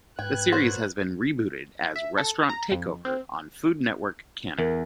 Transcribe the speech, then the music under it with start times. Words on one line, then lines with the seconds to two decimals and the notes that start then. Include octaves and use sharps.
The series has been rebooted as "Restaurant Takeover" on Food Network Canada.
0.19 G#2 B4 G5 F#6 G#6
0.52 F#3 A#4 C5
1.96 E5
2.18 A4
2.49 A#5
2.72 F2
3.05 C4
4.59 E2 A#4